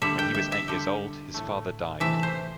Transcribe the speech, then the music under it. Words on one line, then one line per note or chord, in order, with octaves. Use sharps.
When he was eight years old his father died.
D3 G3 E5
G5
E5
E5
D3 G3 G5
A2 A3
C3 E3 A3 E5
C5